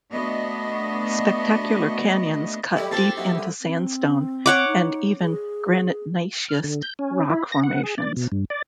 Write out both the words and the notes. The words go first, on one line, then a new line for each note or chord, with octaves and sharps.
Spectacular canyons cut deep into sandstone, and even granite-gneiss-schist, rock formations.
A3 B3 D4 F#4 D#5
F#3 G3 A3 E4 G4 D#5
F3 A#3 C4 D4 A4 C5 A6
D#3 F#3 A#3 E5
C2 D3
C4
C#5 F#5 D6
D#4
G#4
F6
D3
G6
C#4
E4
A#6
F#5
G#4
D5
B2
G2
D5